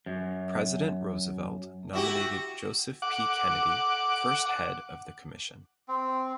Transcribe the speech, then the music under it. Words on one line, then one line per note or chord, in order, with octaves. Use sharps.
President Roosevelt nominated Joseph P. Kennedy first head of the Commission.
F#2
E4 F#4 G4
F#5 D6
C4